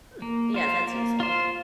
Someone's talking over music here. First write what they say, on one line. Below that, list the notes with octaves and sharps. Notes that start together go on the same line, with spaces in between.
Hmm. Yes. That's useful.
A#3
F4 C5
A#3
F4 C5